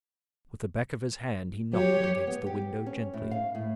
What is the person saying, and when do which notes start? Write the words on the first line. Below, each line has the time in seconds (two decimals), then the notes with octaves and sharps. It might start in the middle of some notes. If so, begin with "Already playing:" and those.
With the back of his hand he knocked against the window gently.
1.73 F#3 G4 C#5
2.27 B3
2.47 G4
2.86 C#4
3.13 A2
3.31 F5
3.55 A2